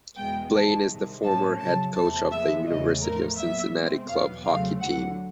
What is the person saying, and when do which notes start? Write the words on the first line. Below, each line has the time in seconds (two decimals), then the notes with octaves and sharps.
Blaine is the former head coach of the University of Cincinnati club hockey team.
0.16 E2 B2 G#3 B3 G5
0.53 G#2 E3 G#3 A5
0.88 C2 C3 D#3 G#3
1.23 A2 F3 A#3 C#4 A5
1.59 F2 C#3 F#3 A5
1.94 E2 C3 E3 A3 C4 A5
2.31 A#2 F3 G#3 B3 E5
2.66 E2 C#3 E3 A3 D#5
3.02 A2 F3 A3 A#4
3.38 A#2 F#3 B3 E5
3.74 B2 G#3 C4
4.08 E2 B2 F#3 B3 F5
4.44 E2 C#3 F#3 A3 C4 F5
4.80 D2 D3 F#3 F#5